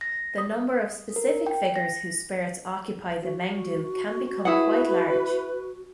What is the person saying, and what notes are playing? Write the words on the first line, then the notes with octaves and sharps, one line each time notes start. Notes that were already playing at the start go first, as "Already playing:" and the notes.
The number of specific figures whose spirits occupy the "mengdu" can become quite large.
A#6
D#6
A#4
G5
A#6
F#4
E4 G#4 B4 F#5